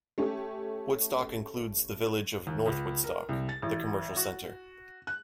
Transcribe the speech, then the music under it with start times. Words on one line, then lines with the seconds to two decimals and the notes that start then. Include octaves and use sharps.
Woodstock includes the village of North Woodstock, the commercial center.
0.18 A3 C#4 G4
2.47 D#2
2.66 C#2
3.04 A#4
3.29 C2
3.49 A6
3.62 A1
4.16 F#4
5.07 F#6